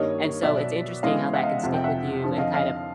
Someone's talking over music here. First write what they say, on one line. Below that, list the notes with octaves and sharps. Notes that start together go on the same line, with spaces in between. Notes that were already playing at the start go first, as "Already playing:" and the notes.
and so, it's interesting how that can stick with you and, kind of,
Already playing: G2 D#3 G3 A#3 C#5 D#5
B2 F#3 B3 D5 E5
C#3 E3 G#3 B3 D#5 F5
E5 F#5
D#5 F5
F2 C3 F3 F#5
G5
E5 F#5
F2 D3 F3
D#5 F5
D#5 F5